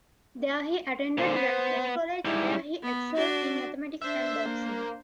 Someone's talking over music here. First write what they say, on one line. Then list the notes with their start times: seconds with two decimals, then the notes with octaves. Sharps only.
There he attended Ratcliffe College, where he excelled in mathematics and boxing.
1.18 A#2 D3 C5
1.36 B3
2.25 G#2 G3 E4
2.83 B3
3.16 D4 F#4
4.02 D4 C5 E5
4.46 A#3